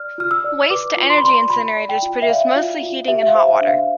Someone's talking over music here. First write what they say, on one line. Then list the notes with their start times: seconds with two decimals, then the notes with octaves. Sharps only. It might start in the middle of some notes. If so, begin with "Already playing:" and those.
Waste-to-energy incinerators produce mostly heating and hot water.
Already playing: D5 F6
0.18 F4 F6
0.31 E6
0.44 D5
0.70 B4 D6
0.97 F4
1.10 C6
1.18 B5
1.23 D5 C6
1.50 F4 B5
1.77 D5
1.89 G5
2.03 F4
2.22 E5
2.29 D5 F5
2.56 F4
2.83 F4
3.08 G4 E5
3.23 E5
3.28 F5
3.35 C5
3.48 E5
3.61 D4
3.67 F5